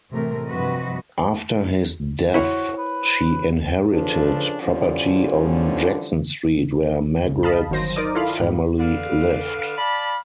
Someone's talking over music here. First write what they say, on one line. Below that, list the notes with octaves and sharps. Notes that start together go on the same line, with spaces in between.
After his death, she inherited property on Jackson Street where Margaret's family lived.
A2 C3 E3 A3 A#4
G2 C3 F3 F#4 B4 D#5
E4 F#4 C5 C#5
B4
C#3 F3 D4 A4 B4
D3 E3 F3 G3 C#4 D4
C#2 C#3
D#5 F5 A5 B5
G1 D#3 F#3 C5 A#6
D#4 A#4 C5 D5 D6 D#6
E4 F4 A4 F5 B5
G#2
D3 B4 F5
D5 F5 A5 B5